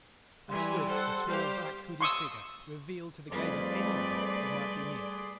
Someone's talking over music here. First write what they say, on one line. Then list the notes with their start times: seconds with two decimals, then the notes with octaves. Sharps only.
I stood, a tall, blackhooded figure, revealed to the gaze of anyone who might be near!
0.49 E3 G3 G#5 C6
0.89 A4 C5 F#5
1.27 G3 G4 C5 F5
2.01 C6 C#6 D#6 E6
3.31 F2 G3 A3 G#4 B4 D5 C6 D6